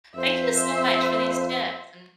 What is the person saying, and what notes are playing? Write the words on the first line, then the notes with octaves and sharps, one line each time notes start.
Thank you so much for these tips and
F2 C5 E5